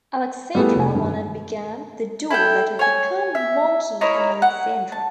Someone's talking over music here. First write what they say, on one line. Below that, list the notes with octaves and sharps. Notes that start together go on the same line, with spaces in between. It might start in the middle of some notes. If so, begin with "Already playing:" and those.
Alexandra won and began the duo that would become Monchy and Alexandra.
G3 A3 B3 E4 G#4
F1 G#5
G2 D#3
E4 A4 G5
C#5 G#5
E5
D#4 E4 A#4 C#5
F#5
A5